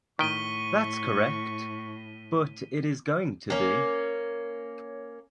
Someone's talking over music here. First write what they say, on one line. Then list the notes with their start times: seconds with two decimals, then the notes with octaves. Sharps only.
That’s correct, but it is going to be.
0.19 A2 D#3 G5 C#6 B6 D#7 G7
3.50 A#3 C#4